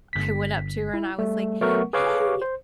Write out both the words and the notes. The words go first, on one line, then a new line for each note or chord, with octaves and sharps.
I went up to her, and I was like, "Hey,
G1 B6
E4
G3 A3
F#3 A3 B3 A#4 F#5 C#6
G#4 B4 C#5 F5 C#6 D6
C5